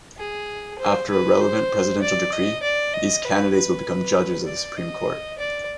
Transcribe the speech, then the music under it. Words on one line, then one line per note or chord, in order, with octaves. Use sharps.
After a relevant presidential decree, these candidates will become judges of the Supreme Court.
G#4
C5
B4
C5
D5
D#5
D5
D#5
B4
B4
D5
D#5
D5